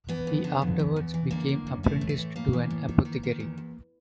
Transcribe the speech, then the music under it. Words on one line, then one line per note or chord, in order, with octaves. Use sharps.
He afterwards became apprenticed to an apothecary.
E3 B3
F2
D3
F2
E2
E2
E3
D3 A#3
D3
F#2
E3 A3
A2
A3
E3
E3 A#3
E3
A2
D#3
D#3
D#3
E2
E2